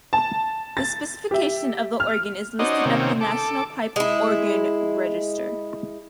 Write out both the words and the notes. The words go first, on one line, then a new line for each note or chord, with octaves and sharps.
The specification of the organ is listed at the National Pipe Organ Register.
A5
A6
G4 E5
F6
C#4 D#4 F#4 C5 D5 D#5
C3 D#3 A#3 C4 C#4
A4 D6
G#3 E4